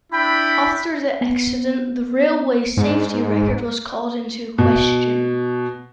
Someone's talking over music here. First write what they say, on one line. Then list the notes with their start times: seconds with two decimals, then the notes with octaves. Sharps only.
After the accident the railway's safety record was called into question.
0.12 D4 E4 G5 B5
1.21 B3
2.77 G#2
4.58 B2